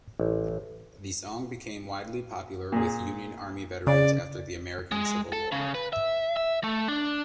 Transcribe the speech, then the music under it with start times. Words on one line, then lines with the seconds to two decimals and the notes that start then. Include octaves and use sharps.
The song became widely popular with Union Army veterans after the American Civil War.
0.20 A1
2.72 A#2 G#4
3.87 C#3 D5
4.92 G#3
5.33 A4
5.52 C#3
5.75 B4
5.93 E5
6.37 E5
6.64 A3
6.88 D4